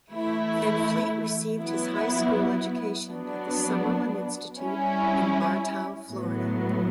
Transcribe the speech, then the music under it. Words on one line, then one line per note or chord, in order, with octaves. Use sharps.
Van Fleet received his high school education at the Summerlin Institute in Bartow, Florida.
E3 A3 E4
F#3 B3 E4
F#3 B3 D4
G3 C#4 E4
A2 F#3 B3